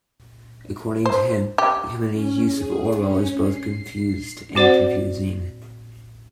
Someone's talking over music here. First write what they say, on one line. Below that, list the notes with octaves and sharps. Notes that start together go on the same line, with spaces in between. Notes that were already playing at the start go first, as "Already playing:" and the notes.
According to him, the "Committee's use of Orwell is both confused and confusing".
C5
G4
C#4
G#4
C#4
C7
C4 F#4 C5 D5 F#5